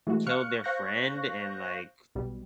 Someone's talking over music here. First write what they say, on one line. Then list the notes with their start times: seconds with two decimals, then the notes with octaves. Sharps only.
killed their friend and, like,
0.07 E3 G#3 A3 F#4
0.26 F5 C#6 F6 F#6 C#7
0.64 C5 F5 C#6 F#6 G6 A#6
2.15 B1 B2 G3